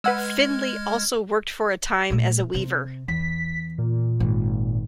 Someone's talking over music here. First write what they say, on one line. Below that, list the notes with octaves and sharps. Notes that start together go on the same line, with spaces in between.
Findley also worked for a time as a weaver.
G#3 B4 F#5 E6 F6 G#6
A#2 A3
C3
E2 B6
A#2
G#1